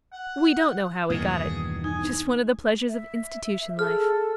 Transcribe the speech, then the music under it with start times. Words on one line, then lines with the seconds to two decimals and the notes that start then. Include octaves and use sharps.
We don't know how we got it--just one of the pleasures of institution life.
0.13 F#5
1.10 E2 G2 B2 D#3 A#3 G#4
1.84 D#4 G#5
2.89 E5
3.79 G#4 A4 F6